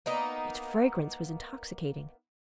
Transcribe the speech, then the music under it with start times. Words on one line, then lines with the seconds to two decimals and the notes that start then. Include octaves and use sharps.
Its fragrance was intoxicating.
0.06 A#3 B3 D#4